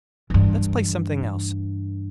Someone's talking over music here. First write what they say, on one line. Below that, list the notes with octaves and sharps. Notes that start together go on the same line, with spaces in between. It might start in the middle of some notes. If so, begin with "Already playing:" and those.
Let's play something else.
G2 E3